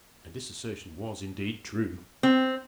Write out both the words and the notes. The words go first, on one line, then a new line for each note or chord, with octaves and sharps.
And this assertion was indeed true.
C4